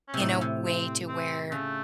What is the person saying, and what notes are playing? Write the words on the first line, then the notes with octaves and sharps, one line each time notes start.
in a way to where
C#4
C3
A2 D#4
C#4
C3
C4
C4
C#3 A3